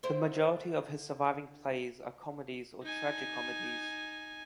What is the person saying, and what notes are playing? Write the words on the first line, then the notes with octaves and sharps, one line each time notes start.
The majority of his surviving plays are comedies or tragicomedies.
D3 E4 C5
D#4 G#5